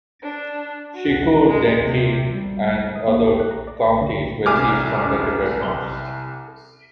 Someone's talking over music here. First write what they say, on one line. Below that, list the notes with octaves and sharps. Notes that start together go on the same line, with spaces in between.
Shiqu, Dengke, and other counties were seized from the Tibetans.
D4
F#4
G#3
C3
G3
D#6
A#3
G4
F#6
A#5
D5
A#5
D3
C2 G#5 D6 F6